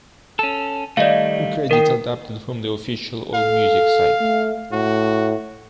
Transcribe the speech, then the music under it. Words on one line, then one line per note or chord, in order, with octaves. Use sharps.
Credits adapted from the official AllMusic site.
C#4 A4
D#3 G3 A3 D5 D#5 F5
D#3 A#4 G5
A4 F5
A3
A2 F#4